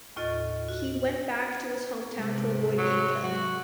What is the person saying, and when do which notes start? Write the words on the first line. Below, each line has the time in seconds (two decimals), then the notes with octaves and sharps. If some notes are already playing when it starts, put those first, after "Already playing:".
He went back to his hometown to avoid being killed.
0.16 D#2 A2 F4 D#5 A6
0.68 F#4
2.19 G#2 C3 G#3
2.78 F#3
3.23 F#3 F#4